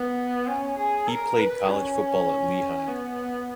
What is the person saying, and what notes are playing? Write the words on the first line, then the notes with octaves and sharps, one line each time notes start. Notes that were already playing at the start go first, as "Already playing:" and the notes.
He played college football at Lehigh.
Already playing: B3
C#4
G#4
A#4
B4
C#4
B3